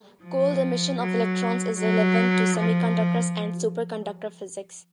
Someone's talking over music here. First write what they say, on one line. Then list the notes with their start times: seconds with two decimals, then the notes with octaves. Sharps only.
Cold emission of electrons is relevant to semiconductors and superconductor physics.
0.23 F3
1.01 F#3
1.79 F#3
2.57 F3